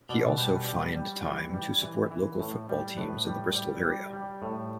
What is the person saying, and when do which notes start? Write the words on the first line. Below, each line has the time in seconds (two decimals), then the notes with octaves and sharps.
He also find time to support local football teams in the Bristol area.
0.09 B2 D5
0.38 G3 B4
0.68 G3
0.96 G3
1.24 E3
1.54 G3
1.82 E3
2.11 E3
2.40 A2
2.69 G3
2.98 A2 B4
3.26 G3
3.55 G3
3.83 G3
4.13 G3
4.42 A2